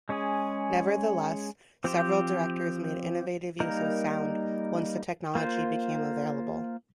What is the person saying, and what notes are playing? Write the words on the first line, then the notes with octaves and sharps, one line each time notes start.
Nevertheless, several directors made innovative use of sound once the technology became available.
G#3 C#4 G#4
F3 C4 G4 C5
G3 A#3 D#4 A#4
A#3 F4 C5